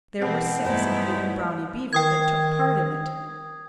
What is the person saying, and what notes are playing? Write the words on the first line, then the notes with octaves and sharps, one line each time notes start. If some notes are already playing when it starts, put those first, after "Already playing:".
There were six, including Brownie Beaver, that took part in it.
B2 E3 C4
G2 G#3 A3 B3 D#4 E4 C5 D5
D#3 G5 D#6 G#6